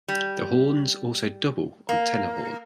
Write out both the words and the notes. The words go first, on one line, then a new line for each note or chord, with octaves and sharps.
The horns also double on tenor horn.
G3
A#3